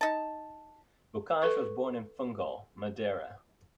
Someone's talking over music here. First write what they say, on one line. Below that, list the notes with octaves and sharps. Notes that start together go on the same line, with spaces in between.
Bocage was born in Funchal, Madeira.
D#4 A5
A4 B4 C#6